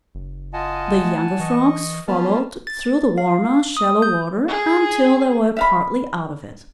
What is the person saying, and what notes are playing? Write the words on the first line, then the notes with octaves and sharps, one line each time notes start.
The younger Frogs followed through the warmer shallow water until they were partly out of it.
F#1
F4 D#5 F#5 G#5 A5
A3
E3 D#5 C#6
A#3 B3 C#4 F4 B4 A5 F6
A6
F5
D#6
G6
G#4
E5 F5 B5